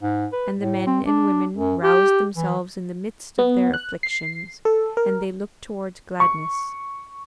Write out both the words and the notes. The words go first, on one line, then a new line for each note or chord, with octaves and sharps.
And the men and women roused themselves in the midst of their afflictions and they looked toward gladness.
G#2
B4
A2
C4
D4
F#2
G4
E3
B3
F#6
C7
A4
A#4
C#6